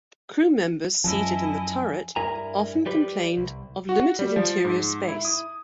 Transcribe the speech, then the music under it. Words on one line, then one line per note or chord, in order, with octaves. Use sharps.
Crew members seated in the turret often complained of limited interior space.
F#2 F3 E4 D#5 G#5 A5
G2 E4 A#4 G#5 A#5
G3 G4 B4
C2
F#4
G3
F3
G#2
E4
D#6